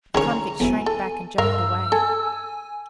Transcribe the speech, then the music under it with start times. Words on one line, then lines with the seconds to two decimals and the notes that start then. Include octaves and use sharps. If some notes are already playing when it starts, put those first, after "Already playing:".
The convict shrank back and jumped away.
0.15 D#3 C#4 E4 G#4 C#5 A#5
0.60 E2 B2 E4 G#5
0.86 A4
1.38 G2 A#4 F5 E6
1.92 A4 G#5